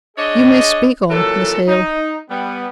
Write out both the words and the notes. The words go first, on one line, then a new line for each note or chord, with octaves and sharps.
'You may speak on, Miss Hale.
D4 G#4 C#5 D#5
A#2 E3 F#3 A4
D#4
G3 B3